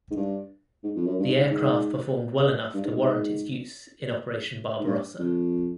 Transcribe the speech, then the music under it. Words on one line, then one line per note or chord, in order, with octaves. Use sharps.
The aircraft performed well enough to warrant its use in Operation Barbarossa.
G#2
G2
G#2
F2
F#2
G2
G#2
G#2
G2
G#2
G#2
G2
F2